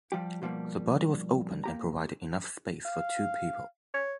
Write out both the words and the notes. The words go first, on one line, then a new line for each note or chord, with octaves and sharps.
The body was open and provided enough space for two people.
F3 G3 G4
B2 F3 G3 A3 A#3
A#3 G4 A#5
F5
C#5